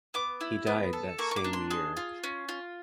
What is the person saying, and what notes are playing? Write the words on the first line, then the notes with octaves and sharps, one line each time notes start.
He died that same year.
B3 D6
E4
B3
A4
A#3 C#6
C#6
D6
D4
C6
G#4 C6
F4
C#4
F4